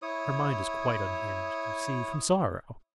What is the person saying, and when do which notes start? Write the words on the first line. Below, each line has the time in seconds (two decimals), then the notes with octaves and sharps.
Her mind is quite unhinged, you see... from sorrow.
0.02 E4 C#5 D#6